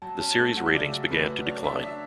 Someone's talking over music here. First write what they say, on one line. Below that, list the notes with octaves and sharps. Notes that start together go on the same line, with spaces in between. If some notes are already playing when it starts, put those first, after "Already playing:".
The series' ratings began to decline.
F#3 A5
C#4 A5
A3 A5
F#3 F#5
E5
C#3 D5
F#3
A3 B4
F#3
D4 C#5
D4 E5
D4 E5